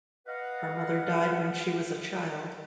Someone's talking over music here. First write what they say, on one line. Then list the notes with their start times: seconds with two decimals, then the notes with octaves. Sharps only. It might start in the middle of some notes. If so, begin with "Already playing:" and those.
Her mother died when she was a child.
0.27 B4 D#5 F5 F#5